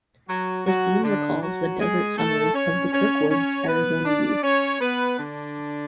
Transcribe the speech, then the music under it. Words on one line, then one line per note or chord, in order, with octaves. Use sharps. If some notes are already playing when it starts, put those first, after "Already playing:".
The scene recalls the desert summers of the Kirkwoods' Arizona youth.
F#3 F#4
F#3 F#4
D3 D4
F#3 F#4
G#3 G#4
A3 A4
C#4 C#5
C#4 C#5
C#4 C#5
B3 B4
D4 D5
C#4 C#5
B3 B4
D3 D4